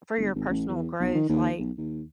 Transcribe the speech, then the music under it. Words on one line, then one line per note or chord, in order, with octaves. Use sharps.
for your personal growth, like
G1
G#1
A1
E2
B1
D#3
D#2
B1
D#2